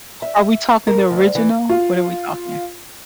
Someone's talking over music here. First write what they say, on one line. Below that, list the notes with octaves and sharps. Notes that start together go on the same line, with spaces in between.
are we talking the original? What are we talking?
E5
A#4
D2
E3
F4